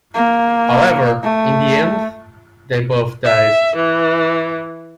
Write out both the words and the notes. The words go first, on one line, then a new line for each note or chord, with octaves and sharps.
However, in the end, they both died.
A#3
A3
E5
E3